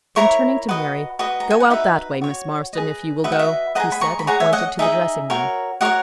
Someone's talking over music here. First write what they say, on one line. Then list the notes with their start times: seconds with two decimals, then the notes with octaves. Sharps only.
Then turning to Mary, "Go out that way, Miss Marston, if you will go," he said, and pointed to the dressing-room.
0.16 E4 A#4 C#5 A#5 C#6
0.69 F#4 B4 D#5
1.19 F#4 B4 D#5
1.40 A#5
1.50 G#5
1.60 F#5
1.70 D#4 F#4 B4 E5
2.22 F#4 C#5
2.73 G#4 B4 D#5
3.24 F#4 B4 D#5 E5
3.32 F#5
3.39 E5
3.75 B4 D#5 F#5 A#5
3.80 G#4
3.92 B5
4.01 A#5 C#6
4.19 B5
4.27 G#4 C#5 F#5 A#5
4.40 E5 G#5
4.53 D#5 F#5
4.79 D#4 G#4 D#5 E5
5.30 F#4 A#4 C#5
5.81 F#4 A#4 C#5 D#5 F#5